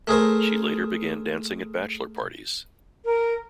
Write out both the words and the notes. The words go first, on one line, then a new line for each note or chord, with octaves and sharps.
She later began dancing at bachelor parties.
A3 G#4 A#4 C5
A#4